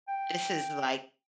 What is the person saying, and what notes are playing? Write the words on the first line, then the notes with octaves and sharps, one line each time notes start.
this is, like,
G5